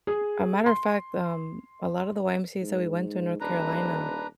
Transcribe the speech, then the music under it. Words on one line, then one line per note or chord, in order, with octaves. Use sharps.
A matter of fact, um, a lot of the YMCAs that we went to in North Carolina,
G#4
C6
G#2
D#1 D4 B4 A#5